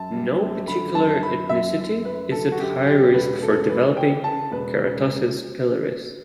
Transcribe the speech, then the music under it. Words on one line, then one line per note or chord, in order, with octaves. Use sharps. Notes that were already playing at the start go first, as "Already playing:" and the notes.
No particular ethnicity is at higher risk for developing keratosis pilaris.
Already playing: F#2 A5
G3
F#2
D3 B5
F#2 A5
F#2 B5
F#2 E5
F#2
F#2 B4
D3 A4
F#4
F#2 G4
D3 G4
E1 B4
C#3 A4
E3 B4
C#3 G5
C#3 A5
E1 B4
C#3